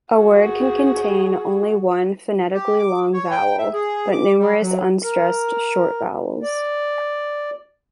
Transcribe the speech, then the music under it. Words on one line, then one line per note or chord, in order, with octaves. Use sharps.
A word can contain only one phonetically long vowel, but numerous unstressed short vowels.
F#4 G#4
G4
D6
C#5
G5
E5
G#4
D6
G3
F#3
A#4
D5